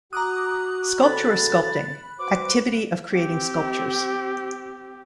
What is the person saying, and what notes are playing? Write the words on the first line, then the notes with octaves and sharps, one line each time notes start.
Sculpture or sculpting - activity of creating sculptures.
F#4 A#5 D6 D#6 F#6
C#3 F#4 A4 B5 F#6 A6
F#4 B4 C5 D6
C4 G4